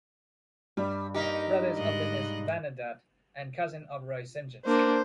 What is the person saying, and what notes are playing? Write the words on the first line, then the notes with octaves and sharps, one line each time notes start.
Brother of Dennis Vanendert and cousin of Roy Sentjens.
G2 G3
A#3 D#4 G4
G#2 D#5 F#6
A#3 D4 C5